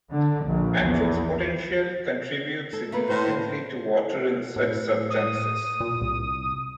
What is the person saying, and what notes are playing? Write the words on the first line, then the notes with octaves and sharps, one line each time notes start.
Matrix potential contributes significantly to water in such substances.
D3
A#1
E2
A4
A3 A#3 B4
A2 C5
A2
D#6
A#2
C2